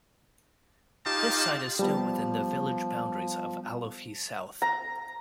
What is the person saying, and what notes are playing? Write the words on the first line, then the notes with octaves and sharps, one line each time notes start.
This site is still within the village boundaries of Alofi South.
D#4 F4 G4 A5
F3 G3 B3
A#5